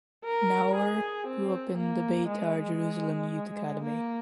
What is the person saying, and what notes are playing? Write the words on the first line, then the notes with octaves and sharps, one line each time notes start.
Naor grew up in the Beitar Jerusalem youth academy.
A#4
G#4
C4
A#3
G#3
A#3